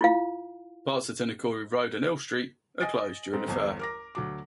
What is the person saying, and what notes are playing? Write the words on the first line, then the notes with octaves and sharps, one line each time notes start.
Parts of Tinakori Road and Hill Street are closed during the fair.
E4 F4 F5
D#5 G#5 D#6 A6 D7
G#2 C4 A4
G1 E2 C5
A#4 D6 A#6
D2 F#3 D6